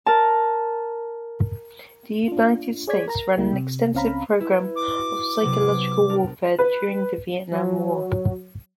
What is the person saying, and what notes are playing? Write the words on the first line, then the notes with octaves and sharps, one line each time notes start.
The United States ran an extensive program of psychological warfare during the Vietnam War.
A#4 A5
D4 F4
G#4 C#5 D5 G#6 B6
A#4 A#5
C#2 G#3 A#3 E4
C3
C#2 C4 C#4 F5 A#5 B5
E4 B4
D6
F#4
C3 F#3 B3
G#4
D4 A#4 A#5
B4
F#3